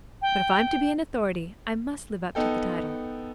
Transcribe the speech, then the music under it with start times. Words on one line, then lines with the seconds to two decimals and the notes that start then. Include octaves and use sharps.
But if I'm to be an authority, I must live up to the title.
0.22 G5
2.35 B3 D#4 A4 G5